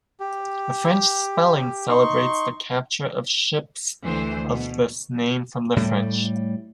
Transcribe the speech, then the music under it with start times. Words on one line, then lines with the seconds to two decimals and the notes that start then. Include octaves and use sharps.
The French spelling celebrates the capture of ships of this name from the French.
0.20 G4
1.89 D#4 C6 C#6
4.04 D2 E3 C5
4.50 B2
5.76 A2 G3